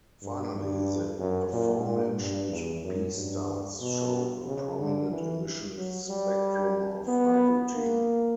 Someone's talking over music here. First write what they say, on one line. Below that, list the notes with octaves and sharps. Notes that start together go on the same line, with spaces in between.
Finally, the aforementioned Be stars show a prominent emission spectrum of hydrogen.
G2
G2
F#2
A#2
A#2
G2
E2
F#2
G2
B2
C#3
D3
E3
F#3
G3
B3
A#3